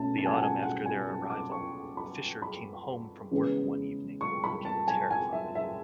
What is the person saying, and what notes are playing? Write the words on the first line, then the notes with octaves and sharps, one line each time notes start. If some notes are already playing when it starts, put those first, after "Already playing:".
The autumn after their arrival, Fischer came home from work one evening, looking terrified.
Already playing: B2 A3 C#4 A5
A5
G#5
F#5
G#5
F#5
G#5
A5
D6
C#6
B5
B5
C#3 E3 G#3 B3
C#6
B5
A5
G#5
G#5
E5
E5